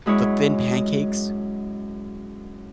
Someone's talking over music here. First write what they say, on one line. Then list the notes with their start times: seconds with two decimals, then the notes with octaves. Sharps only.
the thin pancakes?
0.06 F#2 G#3 E4 C#5